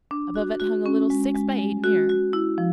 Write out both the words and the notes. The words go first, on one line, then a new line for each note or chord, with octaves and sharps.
Above it hung a little six-by-eight mirror.
D4
F#4
F#4
C#4
G#3
G#3
G#3
F#4
F#4
E4
F3